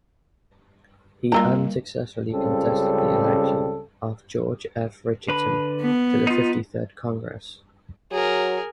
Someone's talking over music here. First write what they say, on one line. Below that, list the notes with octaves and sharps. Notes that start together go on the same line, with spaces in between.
He unsuccessfully contested the election of George F. Richardson to the Fifty-third Congress.
G3 A#3 F4 A#4 D#5 A#5
C#2 C#3 G3 C4 A4
D3 B4 B5
B3
D#4 F4
F#3 G#4 A#4